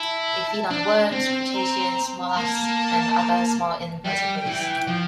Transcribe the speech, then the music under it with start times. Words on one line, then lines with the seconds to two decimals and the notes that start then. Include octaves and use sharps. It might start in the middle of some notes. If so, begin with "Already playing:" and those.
They feed on worms, crustaceans, molluscs and other small invertebrates.
Already playing: E4 A5
0.70 D4
1.12 C4
1.55 A#5
2.27 A#5
2.38 A#3 A5
4.04 G3 G5
4.46 E3
4.87 F3